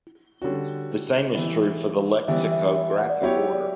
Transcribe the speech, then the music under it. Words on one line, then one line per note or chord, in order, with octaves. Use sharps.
The same is true for the lexicographic order.
D3 G3 C#4 F#4
E3 G3 B3 E4
E3 G3 B3 E4 E5
E5
E5
F#5
D5
F#3 B3 E4 G4 C#5 E5
D5